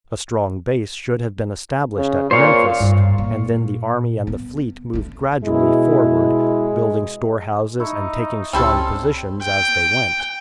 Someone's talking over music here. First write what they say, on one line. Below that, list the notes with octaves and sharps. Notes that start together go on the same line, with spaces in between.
A strong base should have been established at Memphis, and then the army and the fleet moved gradually forward, building storehouses and taking strong positions as they went.
C#3
A#2 C5 C#5 F5
G2
A#2
B3
A3 D4
B2 G#3 E4
D#4 E4 C#6
C#2 G3 C4 C#4 E4 G4 A4 C6
G5